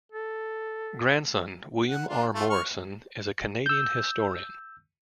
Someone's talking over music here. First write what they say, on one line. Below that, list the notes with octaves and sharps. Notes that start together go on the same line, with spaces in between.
His grandson, William R. Morrison, is a Canadian historian.
A4
F#5
D4 F4
A3 F4
C#6 F6
E6 G6